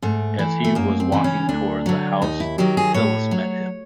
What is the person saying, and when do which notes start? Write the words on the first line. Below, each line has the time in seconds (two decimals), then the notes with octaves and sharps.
As he was walking toward the house, Phyllis met him.
0.02 G#2 A3
0.39 E3
0.64 A3
0.75 F#2 A#3
1.00 C4
1.12 C#3 E3
1.24 C#4
1.49 D2 D4
1.86 D3 F#3
2.22 D#2 D#4
2.40 E4
2.58 D#3 F#3 G4
2.77 G#4
2.94 A2 C#5
3.31 F#3